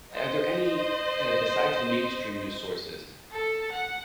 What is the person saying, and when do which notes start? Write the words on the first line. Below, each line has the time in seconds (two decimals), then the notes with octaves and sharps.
are there any, uh, besides the mainstream news sources,
0.12 C5 D#5
3.31 A4
3.72 F#5